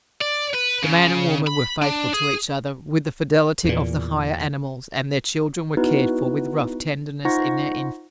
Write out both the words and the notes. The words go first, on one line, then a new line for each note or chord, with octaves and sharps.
The man and woman were faithful to each other with the fidelity of the higher animals and their children were cared for with rough tenderness in their infancy.
D5
B4
C#3
B5
D4
G#4
E2 A#2
B3 D#4 E4 F#4 B4
D#4 F4 C5 F#5 C#6 A#6